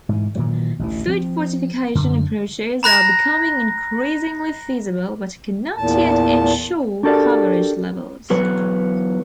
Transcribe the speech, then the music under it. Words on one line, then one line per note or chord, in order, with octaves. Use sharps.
Food fortification approaches are becoming increasingly feasible but cannot yet ensure coverage levels.
G#2 E3
A#2 D#3 E3 F#3
A1 D2 E3
F3 C4
F#2 D3
A#5 B5 F#6 A#6
E2 A#2 A5
D4 F#4 G4 A4 A#4 D5
E2 F#3 B4 C#5